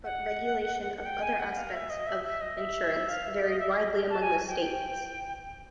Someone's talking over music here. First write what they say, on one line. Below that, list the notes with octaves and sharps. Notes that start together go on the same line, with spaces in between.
But regulation of other aspects of iinsurance varied widely among the states.
F#5
G5
G#5
F#5
F5
E5
D#5
E5
E5
D#5
E5
F5
E5
D#5
E5
D#5
A5
G#5
G5
G5